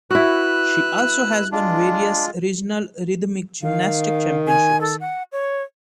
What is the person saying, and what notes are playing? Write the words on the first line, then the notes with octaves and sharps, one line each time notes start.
She also has won various regional rhythmic gymnastics championships.
E4 F#4 B4 E6 F#6
G#3 D4 F4
D#3 F5
G#5
A4
F#5
C#5